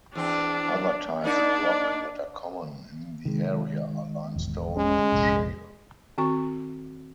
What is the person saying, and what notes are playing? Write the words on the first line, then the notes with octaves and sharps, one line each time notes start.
Other types of rock that are common in the area are limestone and shale.
E2 C4 D4
A#3 D4 D#4 D5
C3 D#3 G#3
E1 A1 E2
G#3 C#4
F1 A#1 C3
D#3 C4 F#4 C#6